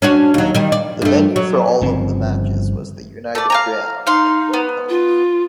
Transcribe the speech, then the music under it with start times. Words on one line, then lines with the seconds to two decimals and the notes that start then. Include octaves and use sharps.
The venue for all of the matches was the United Ground in Windhoek.
0.02 C#4 D4 F#4
0.34 D#2 F#3
0.55 D#3 G3
0.72 D5
1.02 G2 A3
1.36 F#3
1.81 G1 C#3 F3 C4
3.35 A3 D5
3.50 F5 G#5 A#5
4.07 D#4 F5 C6
4.54 B3
4.89 F4